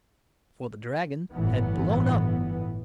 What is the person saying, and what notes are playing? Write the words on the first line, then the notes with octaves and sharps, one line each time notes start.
For the dragon had blown up.
G1 A2 E3 B3